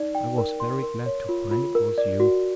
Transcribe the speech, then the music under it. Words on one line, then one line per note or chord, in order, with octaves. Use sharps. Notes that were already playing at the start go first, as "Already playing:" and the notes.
I was very glad to find it was you.
Already playing: D#4 D5
G5
A#4
C6
A#4
C#5
F4
F4
A#4
D5
F#4